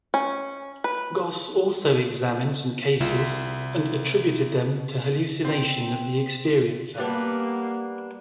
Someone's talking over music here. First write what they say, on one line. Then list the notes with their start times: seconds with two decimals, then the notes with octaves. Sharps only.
Goss also examined some cases and attributed them to hallucination of the experiencer.
0.14 C#4
0.84 B4
3.00 C2 C3 C4 F4 E5
5.45 C4 G5
6.98 G3 A#3 B3 D4